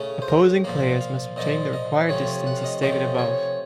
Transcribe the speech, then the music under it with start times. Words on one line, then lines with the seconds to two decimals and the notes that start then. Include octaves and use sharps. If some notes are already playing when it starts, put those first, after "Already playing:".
Opposing players must retain the required distance as stated above.
Already playing: C#3 A3 C#4
0.22 C5
0.28 A#4
0.64 A#2 F3 A#3 F5
1.01 F5
1.36 A#2 F3 A#3 D#5
1.73 D#5
2.09 C3 F3 A3 C#4 C#5
2.47 F#5
2.57 F5
2.64 D#5
2.82 C3 F3 A3 C#4 D#5
3.19 C#5